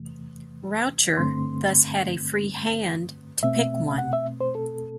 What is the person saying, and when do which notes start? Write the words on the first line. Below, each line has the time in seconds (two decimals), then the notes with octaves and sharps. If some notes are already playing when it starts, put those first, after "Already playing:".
Raucher thus had a free hand to pick one.
Already playing: E2 C3 E3 A3
1.17 G2 D3 A3 C4 C6
3.43 B2 A3 C4 E5
3.98 F#5
4.13 E5
4.41 C5
4.55 A4